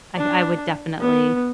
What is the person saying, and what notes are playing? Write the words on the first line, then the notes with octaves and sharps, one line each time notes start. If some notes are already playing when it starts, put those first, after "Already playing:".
I I would definitely
D4
B3